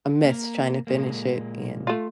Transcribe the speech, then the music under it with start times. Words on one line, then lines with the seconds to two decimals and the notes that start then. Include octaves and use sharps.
a mess trying to finish it, and
0.25 A#3 A#4
0.87 A#2 G#3 A#3
1.87 A3 F4